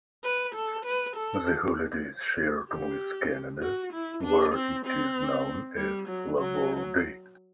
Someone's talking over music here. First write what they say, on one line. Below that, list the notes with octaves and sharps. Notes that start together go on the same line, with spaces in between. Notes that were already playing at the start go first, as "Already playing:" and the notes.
The holiday is shared with Canada, where it is known as Labour Day.
B4
A4
B4
A4
G4
F#4
E4
D4
C4
C4
G3
F#3
F#3